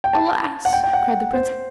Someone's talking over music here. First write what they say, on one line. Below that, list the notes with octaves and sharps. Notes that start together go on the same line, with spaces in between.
'Alas!' cried the princess.
G5
A5
F#5
G5
G5
F#5
C5